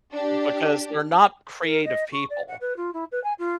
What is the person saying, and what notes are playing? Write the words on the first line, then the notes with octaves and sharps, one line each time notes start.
Because they're not creative people.
D4 G4
A#4
D#5
C#6
D5
F#5
B4
F4
E4
B4
G#5
F4